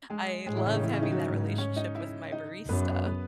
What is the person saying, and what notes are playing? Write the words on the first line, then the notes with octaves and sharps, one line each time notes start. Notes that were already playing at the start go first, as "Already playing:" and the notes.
I love having that relationship with my barista,
G#3 G#4
A2 G#3 G#4
E3 E4
C#3 C#4
D#3 D#4
E3 E4
C#3 C#4
D#3 D#4
F#3 F#4
G#2
C#4 C#5
D#4 D#5
E4 E5
D#4 D#5
F#2 B3 B4
B3 B4